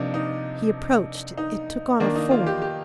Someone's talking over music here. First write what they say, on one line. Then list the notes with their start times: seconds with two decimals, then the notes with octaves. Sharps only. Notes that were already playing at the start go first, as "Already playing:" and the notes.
He approached, it took on a form.
Already playing: C3 F3 A#3 D4 D#4
0.14 D#4
1.38 D#4
2.00 D#3 A#3 D4
2.16 D#4
2.31 F4
2.46 G4
2.62 G4